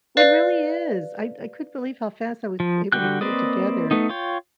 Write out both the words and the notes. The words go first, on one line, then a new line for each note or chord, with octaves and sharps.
It really is. I I couldn't believe how fast I was able to put it together,
B4 D5 F5
F3
D3 G3 F#4 G5 F#6
A#3 C4 B4 D5 D#5
A3 B3 D#4
F4 C#5 G5